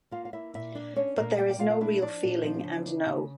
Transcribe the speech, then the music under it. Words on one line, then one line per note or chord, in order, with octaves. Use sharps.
But there is no real feeling and no.
A#3 F4 F5
F5
A#3 E4 E5
A#2 E4 E5
A#3 D4 D5
C#4 D4 C#5
A#2 A#3 A#4
A#3 G4 G5
G5
A#2 F4 F5
F5
D4 E4 E5
F3 D4 D5
A#2
F3
C#3
D4
C#3